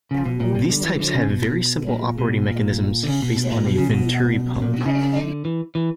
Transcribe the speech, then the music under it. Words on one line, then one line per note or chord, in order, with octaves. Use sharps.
These types have very simple operating mechanisms, based on a venturi pump.
C#3
B2
A#2
B2
D3
E3
D3
C#3
B2
A#2
B2
A#2
D3
C#3
B2
B2
A#2
B2
C#3
B2
A#2
B2
C#3
D3
E3
E3